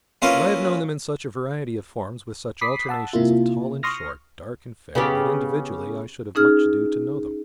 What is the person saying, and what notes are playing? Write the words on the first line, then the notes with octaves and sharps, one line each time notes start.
But I have known them in such a variety of forms, with such alternations of tall and short, dark and fair, that, individually, I should have much ado to know them.
A#3 C#4 E4 F4 B4 C5
B5 D6 D#6 B6 C7
F#5 A5 E6
C3 A#3 E4 F4
C6 C#6 D#6 F6 A#6
C#3 B3 G4
C#4 D#4 G#4 F6